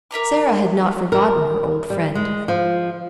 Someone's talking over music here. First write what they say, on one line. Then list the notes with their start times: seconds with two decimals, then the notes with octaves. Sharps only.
Sara had not forgotten her old friend.
0.11 A#4 E5 A#5 D6
1.12 A#4
1.90 G3
2.15 G#3
2.48 F3